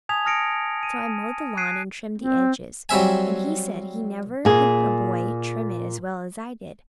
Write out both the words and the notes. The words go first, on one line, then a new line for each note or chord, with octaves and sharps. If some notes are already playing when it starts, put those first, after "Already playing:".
So I mowed the lawn and trimmed the edges, and he said he never had a boy trim it as well as I did.
G#5 A5 D#6 G#6 B6 F7
A5 D#6 F6 A#6 C#7 D7
D#7
F#6 G#6 B6 C7 D7 D#7
C4
F#3 G3 C4 E5 G#5
A#2 G#4